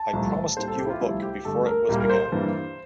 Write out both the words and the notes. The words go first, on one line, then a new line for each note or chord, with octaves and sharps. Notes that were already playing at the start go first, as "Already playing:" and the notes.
I promised you a book before it was begun.
Already playing: A5
C2 A#2 F3 A3
A2 G3 A#3 C5
A4
G4
E4
F4
C2 C3 F3 A3 E4
G4
G2 D3 A3 A4
A#4
C2 A#2 G3 A#3
A#4
C5
G2 E3 G3 A#3